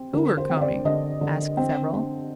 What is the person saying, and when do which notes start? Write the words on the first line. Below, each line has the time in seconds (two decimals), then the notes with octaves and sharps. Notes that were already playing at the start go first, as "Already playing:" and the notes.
"Who are coming?" asked several.
Already playing: C4
0.13 D3 A#4
0.37 C5
0.49 C4
0.57 C5
0.61 D5
0.85 D3 D#5
1.21 D3
1.57 C4
1.93 C4